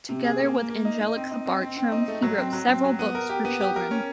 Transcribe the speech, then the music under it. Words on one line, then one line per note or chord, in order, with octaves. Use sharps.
Together with Angelika Bartram he wrote several books for children.
C3
G#4
A#3
A#3
A#3
D#4
D#4
C4
D#4
C4
C4
C4
D#4
A3
F#3
C4
F#3
C4
F#3
B3
A#4
G4
B3
G4
A#4
C#4